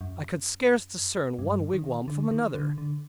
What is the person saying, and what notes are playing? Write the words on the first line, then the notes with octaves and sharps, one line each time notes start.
I could scarce discern one wigwam from another.
F#2
G2
D#3
D3
D#3
D3
D3